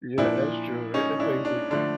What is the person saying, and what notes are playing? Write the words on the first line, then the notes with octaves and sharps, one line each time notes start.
Yeah, that's true. It it takes the cake.
A#2 F3 A#3 D4 E4
C#4 D#4
D4 E4
D4
D3 F3 A3 D4